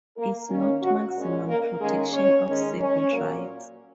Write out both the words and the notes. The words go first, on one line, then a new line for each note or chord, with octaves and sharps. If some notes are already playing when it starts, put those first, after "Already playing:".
It’s not maximum protection of civil rights.
A#3 A#4
D#3 A#3 C#4
F#3 F#4
A#2 G#3 C#4
A#3 A#4
D#3 G#3 A#3 C#4 G#4
C#4 C#5
D#3 G#3 C#4
C#4 C#5
A#2 F#3 A#3